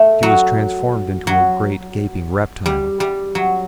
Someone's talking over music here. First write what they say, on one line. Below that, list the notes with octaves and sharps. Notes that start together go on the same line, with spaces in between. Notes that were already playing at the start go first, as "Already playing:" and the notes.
She was transformed into a great gaping reptile.
Already playing: A3
F#3
F#3
G3
G3
F#3